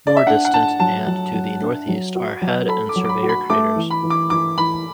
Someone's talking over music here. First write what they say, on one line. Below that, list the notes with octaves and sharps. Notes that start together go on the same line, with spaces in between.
More distant and to the northeast are Head and Surveyor craters.
D5
E5
D4 F#5
F#5
D4 A5
F#3 A5
F#3
F#3
D4
F#3
F#4
F#3
A4 B5
D6
F#3
D6
B5
F#4
B5
A3 D6
E3
B5
E3
D6
E3 D6
E3 B5